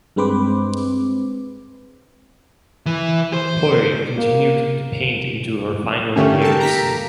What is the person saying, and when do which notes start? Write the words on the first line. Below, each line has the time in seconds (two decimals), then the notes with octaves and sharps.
Hori continued to paint into her final years.
0.16 G2 G#3 C4 B4 C5 D6
2.86 E3
3.33 C5
4.17 A#3
6.16 D3 A3 A#3 C#4 G4
6.41 A4 A5
6.60 A#5 B6